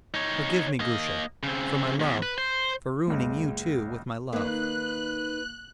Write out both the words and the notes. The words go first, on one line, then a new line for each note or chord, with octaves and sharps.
"Forgive me, Grusha, for my love, for ruining you, too, with my love."
D#4 C#5
A#3 D#5
C#3 C4
E2 A#2
B4
C5
F#1 C#2
D#3 A#3 D#4 B4 F#6